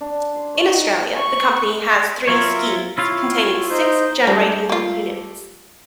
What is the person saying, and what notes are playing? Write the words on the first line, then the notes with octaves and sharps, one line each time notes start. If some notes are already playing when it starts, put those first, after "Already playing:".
In Australia, the Company has three schemes containing six generating units.
D4
C6
C#5
D#4
C#6
F#3 F4 A#4 C#5 E5
E4 F4 C#5 F5
D#4 C5 G6
G3 A3 D4
A#3 F4